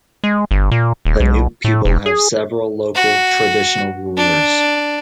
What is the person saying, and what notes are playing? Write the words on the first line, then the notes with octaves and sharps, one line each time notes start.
The Nupe people have several local, traditional rulers.
G#3
G1
A#2
D#1
B1
A2
E1
G#4
F#4
D4